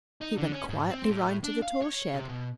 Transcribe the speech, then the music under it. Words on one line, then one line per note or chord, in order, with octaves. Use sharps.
He went quietly round to the tool shed.
D#4
D3
C#4
G#2
C4
A2
D4
F5
C#5
C3
B2